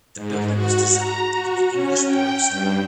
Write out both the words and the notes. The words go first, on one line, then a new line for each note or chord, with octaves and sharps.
The building was designed in the English Baroque style.
G#2
F#4
A#5
F#4
C#4
G5
G2